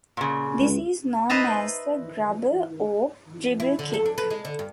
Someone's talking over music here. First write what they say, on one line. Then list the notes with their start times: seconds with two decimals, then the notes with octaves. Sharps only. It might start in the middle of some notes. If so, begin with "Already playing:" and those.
This is known as a grubber or dribble kick.
0.17 A#2 C#3
0.60 C#2
1.29 B4 C5 D#5 E5 A5 A#5
3.60 E4
3.79 D3
3.94 A4
4.06 D4
4.18 B4
4.30 G#3
4.45 D3
4.59 G2